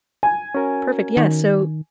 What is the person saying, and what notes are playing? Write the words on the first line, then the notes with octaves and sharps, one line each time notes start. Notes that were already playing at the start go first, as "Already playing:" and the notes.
Perfect, yeah, so,
G#5
C#4 F#4 A#4
D#3